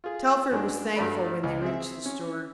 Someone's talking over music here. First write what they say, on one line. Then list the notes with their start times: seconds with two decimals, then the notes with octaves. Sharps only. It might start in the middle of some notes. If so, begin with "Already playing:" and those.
Telford was thankful when they reached the store.
0.04 F4 G#4
0.51 F#2 G#3 D4
0.96 G2 F#3 A3 D5 B5
1.43 C#2 D#5
1.62 C4 G#4 E5
2.06 C#4